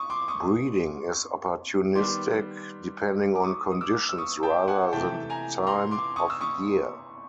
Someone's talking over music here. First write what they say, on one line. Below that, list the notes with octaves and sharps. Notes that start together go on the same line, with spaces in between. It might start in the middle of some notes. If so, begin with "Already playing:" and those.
Breeding is opportunistic, depending on conditions rather than the time of year.
Already playing: C#6 D#6
C6 D6
C#6 D#6
D#3 G3 B3 C6 D6
D6
C#6 D#6
D#6
D6 E6
E6
C#6 D#6
G5 A5
F#5 G#5
C3 E3 A3 G5 A5
G#5 A#5
A#5 C6
C6 D6
C#6 D#6
E6
C#6 D#6